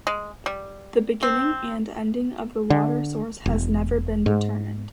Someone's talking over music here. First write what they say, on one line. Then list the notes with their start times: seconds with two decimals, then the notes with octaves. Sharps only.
The beginning and ending of the water source has never been determined.
0.07 G#3
0.46 G3
1.23 C4
2.70 D3
3.46 E1
4.26 G#2